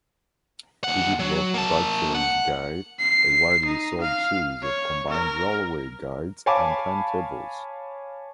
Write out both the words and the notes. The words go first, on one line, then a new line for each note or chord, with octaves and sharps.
He developed Bradshaw's Guide, a widely sold series of combined railway guides and timetables.
D#2 F#5
F#3
A#3 A5
F#5
C7
D#4
F5
C#5
A#4
C#5 F5 G#5 A5 B5 D6